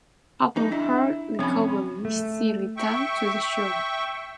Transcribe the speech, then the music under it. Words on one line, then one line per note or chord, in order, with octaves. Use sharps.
Upon her recovery she returned to the show.
E2 D#4
D4 E4
C3 F3 C4 C#4 B5
A3
E5 G5 C#6